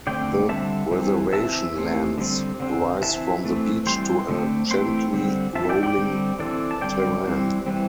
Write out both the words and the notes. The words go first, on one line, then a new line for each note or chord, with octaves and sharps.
The reservation lands rise from the beach to a gently rolling terrain.
D3 A3 C4 D5 G5
D3 G3 C4 E5 A5
E3 G3 C4
E3 C4 E5 A5
E3 A3 C4
D3 G3 C4
D3 C4
E3 C4 E5 A5
E3 A3 C4
E3 G3 C4 G5 C6
D3 A3 C4
E3 A3 C4 G5 C6
D3 G3 C4
E3 C4 E5 A5
D5 G5
D5 G5
D3 G3 C4
E3 C4 A4 D5
A5
D3 G3 C4 D5 G5
E3 G3 C4
E3 G3 C4